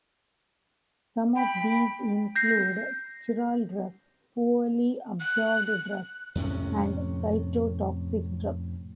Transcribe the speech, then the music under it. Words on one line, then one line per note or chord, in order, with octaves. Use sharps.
Some of these include chiral drugs, poorly absorbed drugs, and cytotoxic drugs.
G5 B5
G6 A#6 C7
F#6
F2 A2 C3 C#4